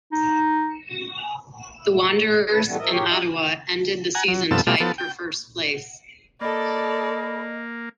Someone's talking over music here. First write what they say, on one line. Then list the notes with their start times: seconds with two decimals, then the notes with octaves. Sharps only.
The Wanderers and Ottawa ended the season tied for first place.
0.12 D#4
2.51 E2 C#3 A3 E4 B4
2.66 B2 E3 G3 A3 B3
2.78 F3 A#4 D#5 E5
2.91 G4 G#4 A#4 C#5
3.10 D#4 F4 G4 D#5 E5 G5
4.15 F#5 G#5 A#5
4.28 F#3
4.51 G2 C3 F3 B3 A4 E6
4.67 B2 G3 A3 F4
4.80 F3 B3 A4
4.98 G5
6.41 A#3 A4 D5 D#5 B5